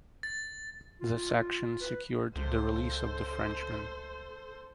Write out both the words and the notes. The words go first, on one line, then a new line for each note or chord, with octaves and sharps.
This action secured the release of the Frenchmen.
A6
F4
B4
C#2 A4 C5